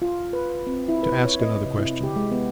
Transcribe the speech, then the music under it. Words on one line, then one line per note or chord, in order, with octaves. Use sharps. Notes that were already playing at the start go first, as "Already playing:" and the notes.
To ask another question.'
F4
B4
C4
E4
B4
C#5
D#5
C3
E4
G4
G#3
B3